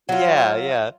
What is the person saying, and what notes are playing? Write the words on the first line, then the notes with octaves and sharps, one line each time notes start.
Yeah, yeah.
F#3 F4